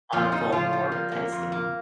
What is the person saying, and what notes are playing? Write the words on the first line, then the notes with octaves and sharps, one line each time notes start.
on a phone or texting.
F2 F3 F4
G3 D#4
C#3 F3 F4
G3
A#3
A#3
F2
A#3